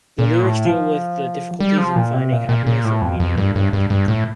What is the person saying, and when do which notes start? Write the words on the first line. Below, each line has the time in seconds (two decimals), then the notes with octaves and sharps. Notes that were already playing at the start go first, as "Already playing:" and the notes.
The lyrics deal with the difficulties in finding happiness and meaning in the world.
0.19 A#2
0.43 A2
0.66 F3
1.60 G3
1.78 F3
1.96 A#2
2.14 C3
2.32 A#2
2.49 A#2
2.67 A#2
2.84 A2
3.02 F2
3.20 F2
3.38 G2
3.56 G2
3.73 G2
3.90 G2
4.08 A2